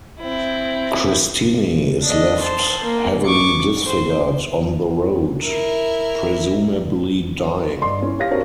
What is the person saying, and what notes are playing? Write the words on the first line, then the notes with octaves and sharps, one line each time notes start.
Christini is left heavily disfigured on the road, presumably dying.
C4 E4
D4 D#5
C5 A5
A#3
C#6 D6
C5
E4 A#4
G1 D5 D#5 C6
C#4 E4
G4 C#5 F5 A#6
C4 D4 F#4 G4 A#4 C#5